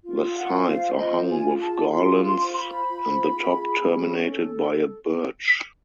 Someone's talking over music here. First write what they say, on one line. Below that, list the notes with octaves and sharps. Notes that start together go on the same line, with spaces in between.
The sides are hung with garlands and the top terminated by a birch.
F4
F#5
C5
F5
F4 D#5
G#5
G#4
A5
F4 C6
C6
C5
C6
B5
F4
G#4
C#4
A4